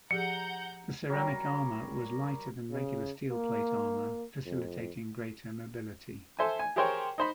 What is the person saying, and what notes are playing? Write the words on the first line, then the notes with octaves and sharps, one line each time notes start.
The ceramic armor was lighter than regular steel plate armor facilitating greater mobility.
F3 G4 G#4 F#5 A#5 G6 C#7
F#3 G3 A#4
C#3
A#3
F2
A4 C5 E5 G#5
G#5
G4 G#4 A#4 C5 C#5 G5
D#4 C5 B5